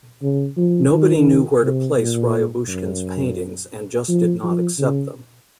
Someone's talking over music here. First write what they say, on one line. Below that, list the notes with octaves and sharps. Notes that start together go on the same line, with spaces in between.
Nobody knew where to place Ryabushkin's paintings and just did not accept them.
C#3
F3
D#3
C3
A#2
F#2
F3
F3
C#3